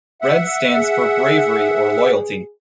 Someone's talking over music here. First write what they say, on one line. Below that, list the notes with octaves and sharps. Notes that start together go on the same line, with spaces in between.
Red stands for bravery or loyalty.
E5 F#5
G#4